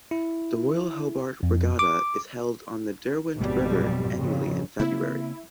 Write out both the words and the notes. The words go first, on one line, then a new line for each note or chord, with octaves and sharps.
The Royal Hobart Regatta is held on the Derwent River annually in February.
E4
F2
D6
G#1 F2 B2 F#3 G3
F2 A#2 C#3
C#3 A#3 C4 E4